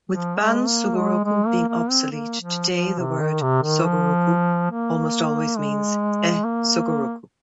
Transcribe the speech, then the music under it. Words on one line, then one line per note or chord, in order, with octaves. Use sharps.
With "ban-sugoroku" being obsolete, today the word "sugoroku" almost always means "e-sugoroku".
F3
G#3
A#3
G#3
G#3
A#3
A#3
C4
A#3
F3
F3
C3
D#3
C3
D#3
F3
A#3
G#3
A#3